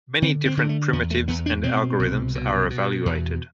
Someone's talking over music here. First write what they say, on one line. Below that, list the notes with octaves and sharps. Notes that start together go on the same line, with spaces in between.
Many different primitives and algorithms are evaluated.
D3 C4
C4
D3
A3
E2 B3
A3
E2 B3
D4
B2 C4
C2
B2
B2
E2